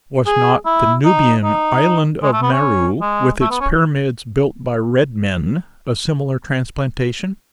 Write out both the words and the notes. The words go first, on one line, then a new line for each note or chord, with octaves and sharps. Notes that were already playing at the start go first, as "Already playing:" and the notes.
Was not the Nubian "Island of Merou," with its pyramids built by "red men," a similar transplantation?
G#4
E4
D#4
D#4
G#3
A3
B3
C#4
G#3
A3
B3
C#4